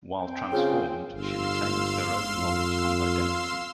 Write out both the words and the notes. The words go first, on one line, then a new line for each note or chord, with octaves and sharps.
While transformed, she retains her own knowledge and identity.
C4 G5
C#3 F4
G1 F5 C6 E6
F2